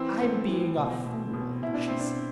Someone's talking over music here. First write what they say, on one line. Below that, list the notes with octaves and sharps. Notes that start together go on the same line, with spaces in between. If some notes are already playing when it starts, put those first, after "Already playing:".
"I'm being a fool," she said.
Already playing: E3 C4
A2
E3
B2
B2
B2
B2 E4
D4
B2 C4
D4